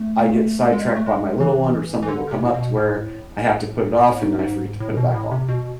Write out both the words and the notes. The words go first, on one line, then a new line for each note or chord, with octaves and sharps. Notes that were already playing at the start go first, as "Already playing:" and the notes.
I get sidetracked by my little one or something will come up to where I have to put it off, and then I forget to put it back on
Already playing: A3
G#3
A3
G#3
E3
E3
D3
C3
A2
B2
A2
A2
G#2
G#2
A2
B2
A2
C3
B2